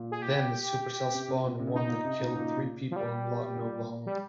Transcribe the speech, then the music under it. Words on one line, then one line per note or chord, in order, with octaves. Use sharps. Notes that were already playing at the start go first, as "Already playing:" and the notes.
Then the supercell spawned one that killed three people in Lawton, Oklahoma.
Already playing: A#2
G#4
G4
C3
C3
A#2
C3
C#3
C3 D#4
A#2
C3
A#2 C#3
A#2 C#3
F3
G3
A#2
G3